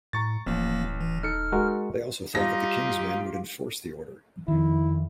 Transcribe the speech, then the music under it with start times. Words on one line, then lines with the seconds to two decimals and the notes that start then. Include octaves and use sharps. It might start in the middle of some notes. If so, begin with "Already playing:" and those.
They also thought that the King's men would enforce the order.
0.13 A2 A#5 C#6 A6
0.46 D#1 A1 F3 A#3
1.01 E3
1.23 D#4 A4 F6 C#7
1.52 G#3 F#4 A#4
2.35 G3 D#4 F4 G4 F5 A#6
4.48 F2 D#3 E4